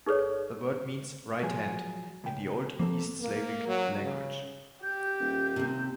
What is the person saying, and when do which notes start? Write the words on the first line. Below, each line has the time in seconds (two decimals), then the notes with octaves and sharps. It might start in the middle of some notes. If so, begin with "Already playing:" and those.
The word means "right hand" in the Old East Slavic language.
0.06 D#4 G#4 A4 B4 C#5 D5
1.43 F3 F#3 G#4
2.24 C#2 G5
2.79 F3 A#3 C4 A4
3.21 A#3
3.67 F#3
4.01 C#3
4.83 G4 G6
5.20 D#1
5.56 D#2 C3